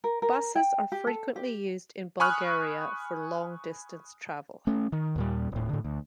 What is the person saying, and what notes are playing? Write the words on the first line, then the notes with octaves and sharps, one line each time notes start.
Buses are frequently used in Bulgaria for long-distance travel.
A#4
A#4
G5
G4
A4
G4
G#5 B5 C#6 D#6 F6 F#6
A3 C#4
D#3
D#2 A#2 G3
D#1 A2
A2 D3
D2